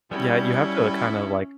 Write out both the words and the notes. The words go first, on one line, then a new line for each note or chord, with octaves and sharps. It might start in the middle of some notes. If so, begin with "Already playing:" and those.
Yeah, you have to kinda, like
B2 G3 B3 C#4 E4